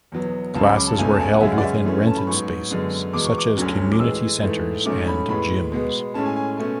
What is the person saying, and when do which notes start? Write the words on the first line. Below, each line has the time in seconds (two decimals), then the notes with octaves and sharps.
Classes were held within rented spaces such as community centers and gyms.
0.12 E2 B2 F#3 B3
0.55 C#2 C#3 F#3 C#4 A5
0.66 B5
0.77 D6
0.87 A5
0.98 C#2 B2 A3 C#4 G#5
1.14 A5
1.20 G#5
1.33 F#5
1.41 F#2 C#3 G#3 C#4 E5
1.53 F#5
1.58 D5
1.63 E5
1.84 F#2 E3 A3 C#4
2.07 A5
2.17 B5
2.27 G#2 F#3 B3 C#6
2.71 F#2 D3 G#3 B3
3.13 E2 B2 G#3 B3 D6
3.25 C#6
3.38 D6
3.56 D2 D3 F#3 C#4
3.92 D6
3.99 A2 E3 G#3 E6
4.43 G#2 E3 A3
4.85 G#2 F#3 A3 C#4 D6
5.08 B5
5.29 A2 G#3 B3 B5
5.72 B2 G#3 B3
6.14 A2 G#3 C#4 A5
6.26 G#5
6.36 G#5
6.57 B2 A3 C#4 G#5